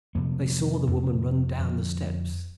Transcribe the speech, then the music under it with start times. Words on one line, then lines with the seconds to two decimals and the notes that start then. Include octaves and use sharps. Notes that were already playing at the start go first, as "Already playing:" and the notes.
They saw the woman run down the steps.
0.15 F2 C3 A#3
0.87 F2 C3
1.59 F2 D3